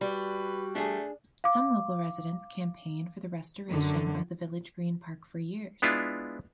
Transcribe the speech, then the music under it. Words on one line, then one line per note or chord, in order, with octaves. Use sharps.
Some local residents campaigned for the restoration of the Village Green Park for years.
G3 F#4 B4
A3 D4 G#4
F5 D6
F#2 D3
G#3 B3 D4 E4 F4